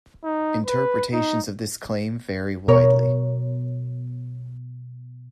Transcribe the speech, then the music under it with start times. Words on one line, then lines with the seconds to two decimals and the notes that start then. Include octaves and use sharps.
Interpretations of this claim vary widely.
0.24 D#4
0.66 B4
1.13 D#4
2.68 B2 A#4 C#5